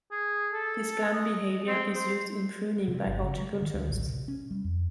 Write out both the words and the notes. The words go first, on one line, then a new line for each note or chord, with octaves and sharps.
This plant behavior is used in pruning by horticulturists.
G#4
A4
D#5
C4
C5
C3
G1
C#3
G#3
D#3
D2
A1
C3
C#4
G3
F2